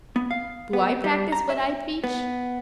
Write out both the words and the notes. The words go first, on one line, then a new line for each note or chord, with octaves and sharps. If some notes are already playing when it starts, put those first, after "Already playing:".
Do I practise what I preach?
B3
F5
B3
G3
A#5
E5
B3